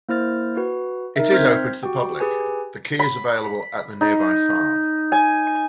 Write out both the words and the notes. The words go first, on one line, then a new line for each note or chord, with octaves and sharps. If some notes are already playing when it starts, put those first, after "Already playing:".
It is open to the public; the key is available at the nearby farm.
A#3 E4 C5 F6 A6
F#4 B4
D#4 A#4 E5
C4 C5 F6 G6 G#6 B6
F#4 G4 G5
G4 G#4 B4 G#5
B5
D#4
G#5